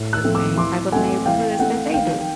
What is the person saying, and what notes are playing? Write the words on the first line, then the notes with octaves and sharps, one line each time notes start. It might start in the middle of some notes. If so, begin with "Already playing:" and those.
the same type of neighborhoods that they do.
Already playing: A2
E6 F#6
F3 A3 C4
D6 E6
E3 C6 D6
A3 C4 F#5 G#5
E3 F5 G5
A3 C4 F#5
D#3 F5 G5